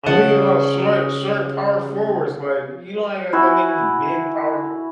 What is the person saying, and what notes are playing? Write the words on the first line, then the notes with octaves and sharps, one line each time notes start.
I'm thinking about short short power forwards, like, you don't even have that many big power,
C#3 F#5 A5
E4 F#4 G#5